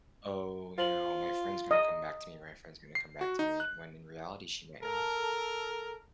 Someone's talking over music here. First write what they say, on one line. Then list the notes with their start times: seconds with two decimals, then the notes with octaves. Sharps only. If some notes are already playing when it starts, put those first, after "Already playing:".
"Oh, you know, my friend's gonna come back to me my friend's gonna come back to me," when in reality, she might not.
0.78 F4 C5 F#7
1.71 D#5 D#6
2.95 C7
3.21 F#4
3.39 D#4
3.60 F#6
4.83 A4 A#4